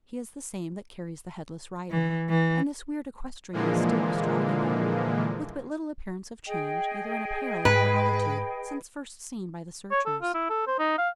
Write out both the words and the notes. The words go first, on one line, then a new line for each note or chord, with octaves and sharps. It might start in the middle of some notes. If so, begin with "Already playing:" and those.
He is the same that carries the headless rider; and this weird equestrian is still bestriding him, with but little appearance of change, either in apparel or attitude, since first seen by the searchers.
E3
E3
A#2 D3 E3 F3 G#3 A#3
G#4 D#5 G5
G#2 B4
C#5
A4
F4
E4
A4
C5
D#4
F5